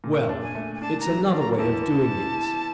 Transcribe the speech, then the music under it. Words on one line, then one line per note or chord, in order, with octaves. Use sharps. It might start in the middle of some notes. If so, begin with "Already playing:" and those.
"Well ... it's another way of doing it."
A#2
D4
G#5
A3
G#5
D4 A5
A#5
F#3
D4
A#5
A#5
E2 A5